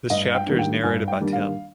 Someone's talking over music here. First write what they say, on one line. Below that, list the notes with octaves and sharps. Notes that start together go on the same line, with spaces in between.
This chapter is narrated by Tim.
G2 D#5
G5
D#3 G3 A#3 D4
G5
G2 G#5
G5
D#3 G3 A#3 D4
F5